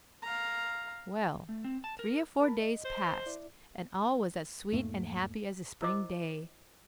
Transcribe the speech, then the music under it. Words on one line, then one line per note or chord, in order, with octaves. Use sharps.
Well, three or four days passed, and all was as sweet and happy as a spring day.
F5 A#5
A3
C4
A5
A#4
A#4 A5 B5
D#5
C5
E4 D5
E2 G#2 A3 A#3
E4 A#4 C5 D#5 D6